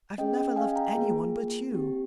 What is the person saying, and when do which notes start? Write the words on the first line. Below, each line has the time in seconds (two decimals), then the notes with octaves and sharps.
I've never loved anyone but you.
0.18 C#4 G#4 D#5 G5
0.37 D#5 G5
0.56 F5 G#5
0.75 G5 A#5
0.95 A#3 F4 G#4
1.71 C4 G4